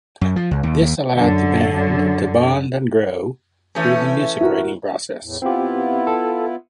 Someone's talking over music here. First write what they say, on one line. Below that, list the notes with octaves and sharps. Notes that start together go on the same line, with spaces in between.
This allowed the band to bond and grow through the music writing process.
F#2
F3
C#2
D#2
D#2
F#2 D3
E3 A3 C#4
E4 F#4 A#4
E2 A2
B3 C4 E4 F4 G4
A4